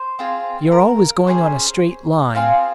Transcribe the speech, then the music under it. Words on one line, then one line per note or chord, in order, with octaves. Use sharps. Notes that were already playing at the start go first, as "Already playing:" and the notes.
"You're always going on a straight line."
Already playing: C5
C4 F4 G#4
A#4
C#4 G#4 C5
C4 F4 G#4 F5